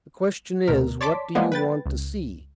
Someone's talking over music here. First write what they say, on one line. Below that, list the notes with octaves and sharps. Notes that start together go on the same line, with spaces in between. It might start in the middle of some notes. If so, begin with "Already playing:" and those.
"The question is, what do you want to see?"
D2 B2 A#4
C#5 D5 A5 C6 D6 B6
F3 G3 G#3 A#3 B3
B4 G5 A6
C#2